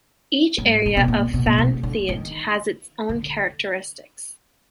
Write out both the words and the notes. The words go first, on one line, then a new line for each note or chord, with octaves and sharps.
Each area of Phan Thiet has its own characteristics.
G#2
D3
B2
A#2
B2
A#2
B2
D3
D#3
D3